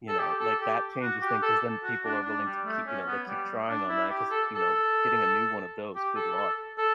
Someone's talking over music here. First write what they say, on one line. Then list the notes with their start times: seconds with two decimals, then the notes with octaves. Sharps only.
You know? Like, that changes things 'cause then people are willing to kee you know, they keep trying on that 'cause, you know, getting a new one of those Good luck,
0.09 A4
0.19 G4
0.40 A4
0.60 G4
1.02 F#4
1.22 G4
1.42 A4
1.84 F#4
2.05 D4
2.25 D4
2.46 G3
2.66 A3
2.86 C#4
3.07 B3
3.28 G3
3.69 D4
3.89 E4
4.10 G4
4.31 A4
4.55 A4
5.95 G4
6.16 A4
6.37 A4
6.78 A4